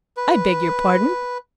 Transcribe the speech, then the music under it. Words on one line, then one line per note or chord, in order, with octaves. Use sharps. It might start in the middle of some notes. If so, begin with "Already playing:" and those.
'I beg your pardon.
B4